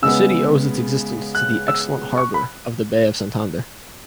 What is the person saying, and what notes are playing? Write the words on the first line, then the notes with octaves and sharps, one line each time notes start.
The city owes its existence to the excellent harbour of the Bay of Santander.
C#3 G#3 B3 E6
F#6
E6
C#6
B5